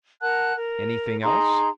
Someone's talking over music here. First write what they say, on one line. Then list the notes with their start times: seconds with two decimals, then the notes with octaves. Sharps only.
"Anything else?"
0.21 A#4 F#5 A5 F#6
0.55 A#4
1.23 D#4 G#4 A#5 C6